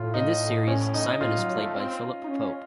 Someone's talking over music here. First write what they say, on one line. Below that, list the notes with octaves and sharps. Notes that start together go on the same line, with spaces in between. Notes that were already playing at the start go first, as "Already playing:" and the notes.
In this series Simon is played by Philip Pope.
Already playing: A2 F4
D#4
C#4
D#4
A2 F4
F#3
A3
C4
D#4
C#4